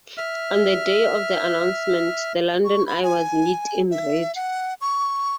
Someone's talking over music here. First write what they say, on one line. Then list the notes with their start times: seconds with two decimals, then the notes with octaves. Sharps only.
On the day of the announcement, the London Eye was lit in red.
0.18 E5 F6
2.65 C#6
2.87 B5
3.03 G#5
3.91 E5
4.36 F#5
4.81 C#6